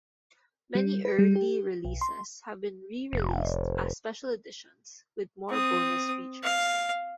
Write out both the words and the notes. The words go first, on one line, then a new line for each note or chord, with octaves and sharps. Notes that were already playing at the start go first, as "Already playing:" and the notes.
Many early releases have been re-released as special editions, with more bonus features.
G3
B4
G3
G4
B1
C6
F1
C4 D#6
F5